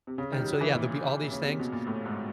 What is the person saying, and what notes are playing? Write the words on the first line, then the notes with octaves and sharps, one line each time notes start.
And so yeah, there'll be all these things,
C3
C#3
D#3
G3
F#3
E3
A#2
C#3
C3
B2
A#2
A2
G#2